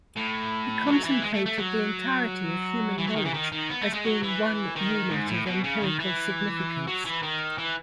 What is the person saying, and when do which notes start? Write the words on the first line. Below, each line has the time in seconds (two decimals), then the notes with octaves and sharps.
He contemplated the entirety of human knowledge as being one unit of empirical significance.
0.16 A2
0.87 F#3
1.04 E3
1.22 G#3
1.34 A3
1.46 A3
1.58 F#3
2.99 E3
3.08 F#3
3.16 D#3
3.25 E3
3.34 D#3
3.52 D#3
3.69 B3
3.81 A3
3.93 G#3
4.05 F#3
4.23 E3
4.76 D#3
5.10 G#2
5.28 A2
5.46 B2
5.64 C#3
5.81 D#3
5.99 E3
6.87 F#3
7.05 E3
7.23 D#3
7.58 E3